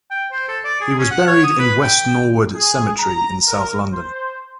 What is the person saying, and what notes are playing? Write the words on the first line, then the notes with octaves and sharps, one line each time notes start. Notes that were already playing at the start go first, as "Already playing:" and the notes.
He was buried in West Norwood Cemetery in south London.
G5
C5
A4
D5
G#4
C#4
F#5
C#5
D#6
B4
G5
G#4
A#5
A#4
C5